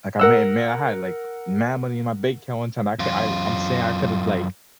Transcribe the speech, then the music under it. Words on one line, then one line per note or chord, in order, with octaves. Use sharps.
like, I may may have, like, mad money in my bank account one time, I ca I I'm saying I could have, like,
A#4 F#5 E6
F#2 F4